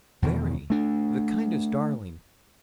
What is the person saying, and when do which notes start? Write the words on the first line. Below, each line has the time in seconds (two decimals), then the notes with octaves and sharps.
'Very--the kindest darling.
0.22 E2 B2 D#3
0.70 A3 D4